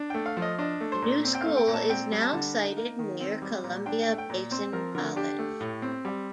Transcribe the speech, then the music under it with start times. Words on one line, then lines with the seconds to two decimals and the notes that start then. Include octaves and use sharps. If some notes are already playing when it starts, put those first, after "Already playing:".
The new school is now sited near Columbia Basin College.
Already playing: D4
0.10 A3 G5
0.26 F5
0.37 F3
0.42 D#5
0.59 D4 D#5
0.81 A3
0.92 C5
1.02 A#2
1.25 C4
1.35 G5
1.41 A3 F5
1.57 G5
1.67 A#2
1.74 A5
1.89 C4 G5
2.12 G3
2.22 A5
2.33 D3
2.55 D#4
2.77 A#3
2.99 D#3
3.20 C4
3.42 G3
3.64 A#2
3.86 D4 G5
4.02 G5
4.08 A3
4.18 G5
4.30 A#2
4.51 C4 C5
4.73 F3 A#4
4.95 D3 A#4
5.16 D4 G4
5.39 A3
5.61 A2
5.82 C4
6.05 G3